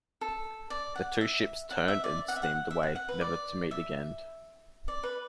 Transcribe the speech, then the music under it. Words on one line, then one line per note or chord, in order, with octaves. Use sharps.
The two ships turned and steamed away, never to meet again.
A4
D5
F#5
E5
F#5
E5
D5
F#5
E5
F#5
E5
F#5
F#5
B4
D5
E5
D5
B4